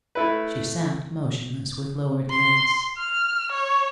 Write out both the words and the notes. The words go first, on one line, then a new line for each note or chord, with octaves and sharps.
She sat motionless, with lowered lids.
A3 E4 B4
C6
F6
C#5